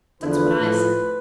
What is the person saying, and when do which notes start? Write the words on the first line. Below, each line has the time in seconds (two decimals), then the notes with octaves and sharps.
That's what I said.
0.22 E2 D3 F3 B4
0.59 A2 F3